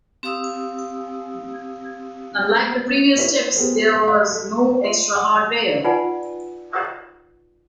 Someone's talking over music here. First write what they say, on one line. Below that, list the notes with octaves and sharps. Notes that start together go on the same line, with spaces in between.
Unlike the previous chips, there was no extra hardware.
C4 G4 F5 D#6 E6
E4 B4 C#5 B6
B3 G4 G#4 A#4 C5
D5 F5 B5 B6
A4
F4 D#5 E5 C6
F#5
D#4 F4 B4 D5 F#5 G#5